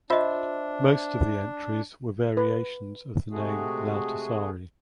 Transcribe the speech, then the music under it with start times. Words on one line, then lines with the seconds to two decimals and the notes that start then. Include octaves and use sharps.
Most of the entries were variations of the name Lauttasaari.
0.10 D4 F4 C5 D#5 E5
2.37 B4
3.31 C3 G#3 A3 F#4 G#4